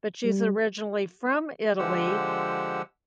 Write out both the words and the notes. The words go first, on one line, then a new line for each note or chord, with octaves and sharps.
but she's originally from Italy,
G3
D3 F3 G#3 G4 F#5 E6